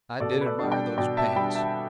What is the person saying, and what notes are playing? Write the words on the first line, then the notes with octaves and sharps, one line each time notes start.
I did admire those pants.
B2 A4 D5
B4
A4 D5
G3 D4
D5 G5
B2 D5 G5
E5 A5
G3 D4 G5 B5
E5 A5